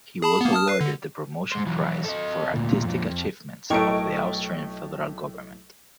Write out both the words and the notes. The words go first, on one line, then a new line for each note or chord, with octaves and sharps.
He was awarded the Promotion Prize for Artistic Achievements of the Austrian Federal Government.
G#4 A5 B5
A#3 B3
A5 D#6 F6
B4 C7
D3
G#3 C5
E3 F#3
A4 D#5
D2 A#2
F2 A#2
F2
B1 A2 A3 A#4 C#5 D#5 G5 D7